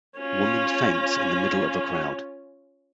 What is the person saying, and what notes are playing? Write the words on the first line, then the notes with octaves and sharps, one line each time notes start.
Woman faints in the middle of a crowd.
C#4 F4